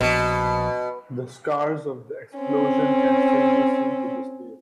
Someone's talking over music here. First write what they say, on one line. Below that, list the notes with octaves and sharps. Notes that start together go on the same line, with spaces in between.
The scars of the explosion can still be seen to this day.
A#1 B2
C4 C#4